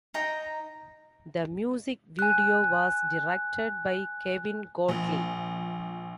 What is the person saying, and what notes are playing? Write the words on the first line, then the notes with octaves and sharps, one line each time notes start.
The music video was directed by Kevin Godley.
D#4 G5 A#5
G#5 F#6
A#1 F3